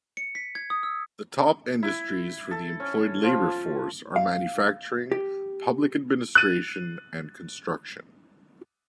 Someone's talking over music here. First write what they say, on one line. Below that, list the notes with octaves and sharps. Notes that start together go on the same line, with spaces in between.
The top industries for the employed labour force are manufacturing, public administration and construction.
C#7
B6
G#6
D#6
E6
E4
A4
C#4
F3
F5
G4
F#6 A6 D#7